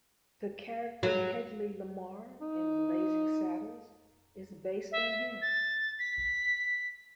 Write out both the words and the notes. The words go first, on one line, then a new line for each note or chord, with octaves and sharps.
The character Hedley Lamarr in "Blazing Saddles" is based on him.
F#3
D#4
E5
A6
B6